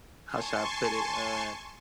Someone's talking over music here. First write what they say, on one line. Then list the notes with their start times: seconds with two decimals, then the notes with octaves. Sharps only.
How should I put it? Uh,
0.24 G#5 A5 C6 C#6